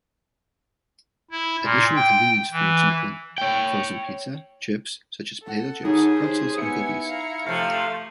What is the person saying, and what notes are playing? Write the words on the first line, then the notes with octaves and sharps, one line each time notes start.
Additional convenience foods include frozen pizza, chips such as potato chips, pretzels, and cookies.
E4
A#2
G5
E3
C#5 G5
A4 F#5
D#2 D#4 G#4
C5
B3 E4 G#5 C#7
F5 A#5
C3 F3 A3 F5